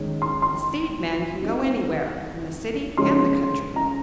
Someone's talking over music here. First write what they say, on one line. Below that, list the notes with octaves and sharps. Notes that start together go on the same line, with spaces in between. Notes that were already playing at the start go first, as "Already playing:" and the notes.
A seed man can go anywhere, in the city and the country.
Already playing: D#3 G#3 C#4
C6
C6
G3 C4 D#4
C#3 F3 G#3 C#4 C6
A#5